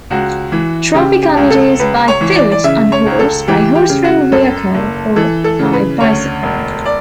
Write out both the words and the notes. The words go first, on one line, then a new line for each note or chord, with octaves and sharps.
Traffic on it is by foot, on horse, by horse-drawn vehicle, or by bicycle.
C#2 F#4
E3
C#3 G4
G4
C#2
A4
C#2 B4
C#5
E3
D5
D5
C#3 E5
C#5
C#2
A4
E3 G4
G4
C#3
F#4
F#2 A4
F#1
E3 A4
A4
C#3
B4
D2 C#5
E1
D5